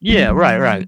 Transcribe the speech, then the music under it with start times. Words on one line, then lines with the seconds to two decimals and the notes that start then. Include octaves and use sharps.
Yeah. Right, right.
0.09 G3
0.29 F#3